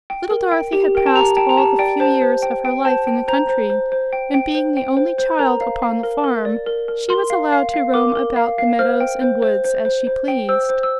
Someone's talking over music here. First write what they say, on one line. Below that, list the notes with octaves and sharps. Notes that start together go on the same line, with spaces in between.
Little Dorothy had passed all the few years of her life in the country, and being the only child upon the farm she was allowed to roam about the meadows and woods as she pleased.
G5
A#4
G5
G4
A#4 G5
A5
G4 A#5
G5 A5
A#5
G4 A5
D5 G5
C5 A5
C5
G5
G5
C5 A5
G5
C5 A#5
C5
C5
C5
G5
G5
C5
G5
C5
C5
A#4 A#5
F5
F5
A#4
A#4
D5
A#4
A#4
A#4 C6
F5
F5
F5
A#4 D6
A#4
F5
F5
C5 F6
G5
C5
C5
C5
C5
C5
G5
C5 E6
C5
E6